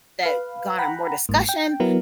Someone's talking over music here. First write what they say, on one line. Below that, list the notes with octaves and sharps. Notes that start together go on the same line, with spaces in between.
that garner more discussion
B4 F5
F#5 G5 A#5 B5
G1 G#2 A#3
G5
F#3 B3 E4 A#4